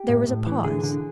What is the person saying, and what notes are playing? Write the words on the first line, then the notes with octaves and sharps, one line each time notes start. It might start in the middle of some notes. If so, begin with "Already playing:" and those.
There was a pause.
Already playing: G4
A2
A2
E3
D3 G#4
D3